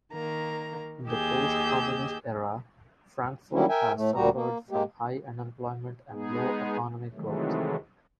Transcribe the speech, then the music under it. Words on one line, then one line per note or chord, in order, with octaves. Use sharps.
In the post-communist era, Frankfurt has suffered from high unemployment and low economic growth.
D#3 A#3 A#5
D#2 G4 G#4 D#5 E6 G6
D#3 F#3 G3 A#3 C#4 E4
A#4 E5 G5 G#5
A2 A3
D2 A#2 G3 F#4 G4 A#5
A#3
G#3 A#3 G4
G#3 B3 D#4 G#4
C3 D#3 E3 F#3 G#3 A3